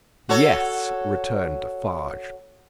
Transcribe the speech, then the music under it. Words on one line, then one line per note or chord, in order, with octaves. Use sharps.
"Yes," returned Defarge.
F#4 A4 C#5